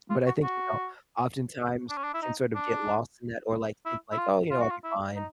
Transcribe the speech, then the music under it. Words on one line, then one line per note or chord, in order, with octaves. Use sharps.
but I think, you know, oftentimes we can sort of get lost in that, or like think like, "Oh, you know, I'll be fine,
F4
F#4
F#4
D4
C#4
D4
E4
D#4
D4
E4
E4
F4
F4
F#4
F4
E4
D#4